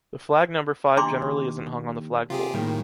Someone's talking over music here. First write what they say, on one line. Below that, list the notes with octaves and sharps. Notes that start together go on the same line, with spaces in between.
The flag number five generally isn’t hung on the flagpole.
D#2 D4 A#5 C6 D6
C3 F4 G4 G#4
A2 D#3 G3 A#3